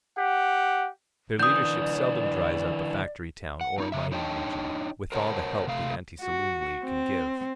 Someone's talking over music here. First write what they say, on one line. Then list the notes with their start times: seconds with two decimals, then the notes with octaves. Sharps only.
Their leadership seldom dries up a factory town or a mining region, with all the help the Anti-Saloon League can give.
0.16 G4 F#5
1.39 D3 E3 D5 D#6 G6
3.61 F#5
3.78 F#3 D#4 F4
3.92 C#3 E5
4.12 D4 D#4 C#5 D#5 G5 A5
5.12 A#4 C5 C#5 F5 F#5 A5
5.67 C3 A3 F5
6.21 F#4
6.84 C4